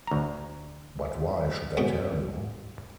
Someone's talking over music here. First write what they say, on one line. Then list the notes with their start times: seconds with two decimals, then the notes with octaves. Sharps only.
But why should I tell you?
0.07 D2 A#5
1.77 G#2 B2